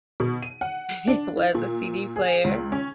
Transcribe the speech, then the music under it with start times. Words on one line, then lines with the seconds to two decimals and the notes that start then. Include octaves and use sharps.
it was a CD player,
0.20 B2
0.42 D#7
0.61 F#5
1.07 D4
1.36 E4
1.55 A#2
2.16 G#4
2.44 C#2
2.72 C#4